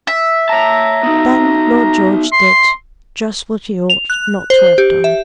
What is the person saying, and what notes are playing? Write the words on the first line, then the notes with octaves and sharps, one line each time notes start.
Then Lord George did--just what he ought not to have done.
E5
C#5 A5 A#5
B3 D#4
C6
F7
F#6
C5
G4
E5